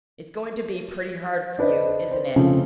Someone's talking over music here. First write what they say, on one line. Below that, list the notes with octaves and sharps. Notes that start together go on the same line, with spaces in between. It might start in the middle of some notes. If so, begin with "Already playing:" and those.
"It's going to be pretty hard for you, isn't it?"
D4 B4 C5 D#5
C5
C#3 F3 A3 C4 C#4